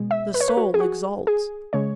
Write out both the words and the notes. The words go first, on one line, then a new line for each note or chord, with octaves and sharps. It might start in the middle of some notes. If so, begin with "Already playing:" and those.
The soul exults.
Already playing: B2 G#3
E5
B4
C#5
B4
F#4
G#4
F#4
G#4
C#3 G#3 C#5